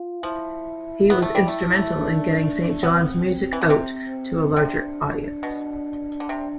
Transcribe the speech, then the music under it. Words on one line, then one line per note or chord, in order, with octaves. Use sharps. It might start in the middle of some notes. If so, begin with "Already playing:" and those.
He was instrumental in getting Saint John's music out to a larger audience.
Already playing: F4
F3 E4
B3
A3
G3
A3
D4
B3 C4
E3
D3
C3
C3 D4
B2
D3
C3